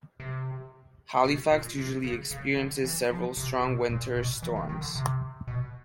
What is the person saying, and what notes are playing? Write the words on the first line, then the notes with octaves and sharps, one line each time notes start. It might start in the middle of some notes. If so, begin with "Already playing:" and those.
Halifax usually experiences several strong winter storms.
C3
B2
A#2
C3
C#3
C#3
D3
E3
F3
C3
C3
B2
A#2
B2
E3
D#3
D#3
D3
C3
B2